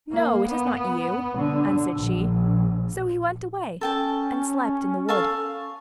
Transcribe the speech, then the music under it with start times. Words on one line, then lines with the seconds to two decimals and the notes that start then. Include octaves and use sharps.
'No, it is not you,' answered she, so he went away and slept in the wood.
0.12 A#3
0.47 B3
1.38 D3
1.95 A#1
3.81 C#4 A4 G5 A5
5.09 A4 F5 C#6